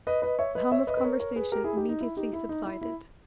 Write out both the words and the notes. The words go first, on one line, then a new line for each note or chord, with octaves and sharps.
The hum of conversation immediately subsided.
B4 D#5
B4 D#5
C#5 E5
B4 D#5
C#5 E5
B4 D#5
B4
A#4 C#5
A#4 C#5
G#4 B4
G4 A#4
E4 G#4
D#4 G4
D#4
E4
D#4 G4
E4
D#4
E4
E4